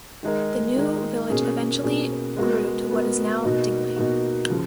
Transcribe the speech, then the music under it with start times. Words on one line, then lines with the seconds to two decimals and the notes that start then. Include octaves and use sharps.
The new village eventually grew to what is now Dingli.
0.23 D#3 G#3 D#4 A#4
0.77 D#3 G#3 D#4 A#4
1.30 B2 A#3 C#4 G#4
1.83 B2 A#3 C#4 G#4
2.36 G#3 B3 F#4 A#4
2.90 G#3 B3 F#4 A#4
3.43 B2 A#3 D#4 F#4
3.96 B2 A#3 D#4 F#4
4.50 C#3 F3